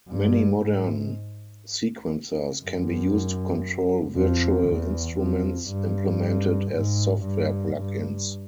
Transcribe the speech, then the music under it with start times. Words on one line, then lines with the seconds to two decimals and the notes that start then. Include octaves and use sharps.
Many modern sequencers can be used to control virtual instruments implemented as software plug-ins.
0.09 G2
0.59 G#2
2.63 F#2
4.16 F2
4.68 E2
5.18 F2
5.70 G2
6.71 G#2
7.22 G2
7.74 G2